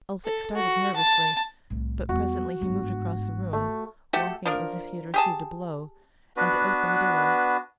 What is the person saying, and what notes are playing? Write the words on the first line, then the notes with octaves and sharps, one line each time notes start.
Elphick started nervously, but presently he moved across the room, walking as if he had received a blow, and opened the door.
A4
F#4
A5
C2 A2
E2 G3 F#4
G1 G#2
A3
A3 F#4 G4 A4
F3 D4 A#4
G4 G#4 A5
B3 D4 F#4 B4